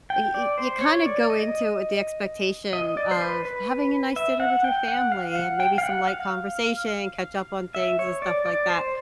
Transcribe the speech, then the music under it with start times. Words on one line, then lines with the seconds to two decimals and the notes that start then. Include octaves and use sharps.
y y you kinda go into with the expectation of having a nice dinner with your family, and maybe some light conversation, catch up on things, and stuff like that,
0.10 G5
0.34 D5
0.58 C5
0.81 C#5
1.06 D5
1.30 D#5
2.73 D#5
2.97 D5
3.11 C5
3.21 B4
3.45 B4
4.16 E5
4.40 F#5
4.64 G5
4.88 F#5
5.12 F5
5.35 F#5
5.60 G5
5.78 F5
5.83 F#5
6.07 F5
7.75 E5
7.99 C#5
8.22 D5
8.46 D5
8.70 C5